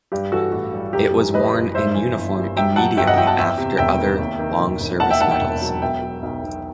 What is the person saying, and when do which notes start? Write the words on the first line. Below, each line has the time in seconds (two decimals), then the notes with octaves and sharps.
It was worn in uniform immediately after other long service medals.
0.12 G2 G4
0.32 E3 F#4 A4
0.52 A1 F#4
0.74 G3
0.93 F#2 G4
1.14 E3
1.34 F#1 B4 D#5
1.54 F#1
1.75 G2 C5 E5
1.95 E3
2.16 G1
2.37 G3
2.56 F#2 E5 G5
2.76 F#3 F#5 A5
2.97 G1 E5 G5
3.07 D#5 F#5
3.17 G1 E5 G5
3.27 F#5 A5
3.37 E2 E5 G5
3.58 C3
3.78 E1 E5 G5
3.98 D#3
4.19 D#2
4.39 D#3
4.60 E1
4.80 E1
5.00 D#2 F#5 A5
5.10 E5 G5
5.21 D#3 F#5 A5
5.31 E5 G5
5.41 E1
5.62 F#3
5.82 B2 E5 G5
6.02 F#3
6.23 B1
6.42 B1